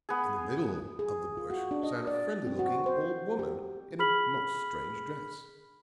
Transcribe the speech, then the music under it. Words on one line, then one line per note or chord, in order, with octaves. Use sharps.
In the middle of the bush sat a friendly-looking old woman in a most strange dress.
B3 G#4
G#4
F4
F#4
D4
D#5
D5
C4
F#4
C5
G4
G#4 B5 F6 B6 F#7